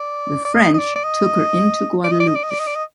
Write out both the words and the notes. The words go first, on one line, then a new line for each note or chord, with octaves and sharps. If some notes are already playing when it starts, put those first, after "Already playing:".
The French took her into Guadeloupe.
Already playing: D5
D5
D#5
D#5
D5
D5
D#5
D5
D#5
D5
D#5
D5
D#5
D5
D#5
D5
D#5